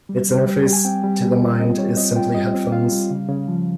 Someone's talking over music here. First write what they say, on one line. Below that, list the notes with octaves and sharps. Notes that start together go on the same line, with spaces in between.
Its interface to the mind is simply headphones.
G3
G3
G3
G3
G#5
C4 G5
G3
G3
F4
C4 D#5
G3 C#5
C4 D#5
F4 G5
G3 D#5
C4
F4 F5
G3
C#3
C#3
F3